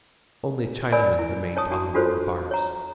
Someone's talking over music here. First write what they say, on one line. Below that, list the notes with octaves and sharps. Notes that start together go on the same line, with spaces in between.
Only Chinamen remained on the lower bars.
A#4 C#5 D5 G#5 B5 E6
E4
D4 C#5 A5 D#6
D4 F#4 A5
D4 F4 F#4 A4 C5 C#5
C#5 A#5